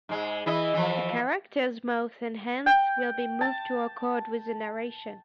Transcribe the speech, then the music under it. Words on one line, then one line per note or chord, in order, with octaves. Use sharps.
A character's mouth and hands will be moved to accord with the narration.
G#2 G#3
E3 E4 D#5
E3 F3
G5
A5